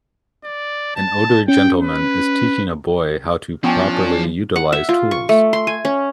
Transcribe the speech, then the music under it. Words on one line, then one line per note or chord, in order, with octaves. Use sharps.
An older gentleman is teaching a boy how to properly utilize tools.
D5
A5
C#4 G5
B4
F3 B3 C#4 D4 G5 G#5
F#5
E5
F4
C#6
A3
C6
G#5
C#4